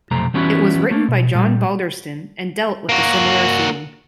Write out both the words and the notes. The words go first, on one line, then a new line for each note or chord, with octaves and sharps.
It was written by John Balderston and dealt with a similar theme.
B1 F2 C3 A3 C4 A#5
E3 G3 B3 C#4 E4 F#4
A3 A#3
B2
A#2 G3
A#3 F#4